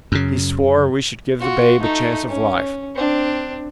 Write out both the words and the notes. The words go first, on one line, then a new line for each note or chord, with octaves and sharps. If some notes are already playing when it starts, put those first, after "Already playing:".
He swore we should give the babe a chance of life.
F#2 C#3
F4 F#4
A3 D#4
C#4
C4 D4